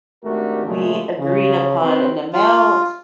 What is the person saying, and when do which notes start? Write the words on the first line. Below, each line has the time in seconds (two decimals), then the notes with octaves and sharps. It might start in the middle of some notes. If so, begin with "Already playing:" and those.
We agreed upon an amount.
0.24 G#1 A3 D4 F#4 G4 A#4
0.67 A#2 C#3 G#3 A3
1.20 C#3
1.79 C4 F#4 B4
2.33 F4